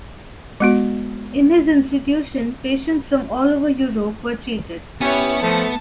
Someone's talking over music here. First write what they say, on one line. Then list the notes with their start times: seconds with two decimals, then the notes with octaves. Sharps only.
In his institution patients from all over Europe were treated.
0.60 G#3 B3 F#4
5.01 B3 C#4 E4 G4 C#5
5.42 F3 A3 A5